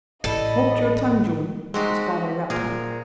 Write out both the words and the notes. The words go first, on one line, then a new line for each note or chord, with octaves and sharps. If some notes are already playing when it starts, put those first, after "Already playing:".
"Hold your tongue, John," his father rapped out.
A1 A4 D5 D#5 B5
G#3 C4 D#4 F#4 G4
A#2 G#4 A#4